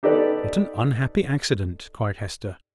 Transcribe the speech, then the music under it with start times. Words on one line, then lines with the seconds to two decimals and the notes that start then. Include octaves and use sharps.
"What an unhappy accident!" cried Hester.
0.03 D#4 G4 A4 B4 D5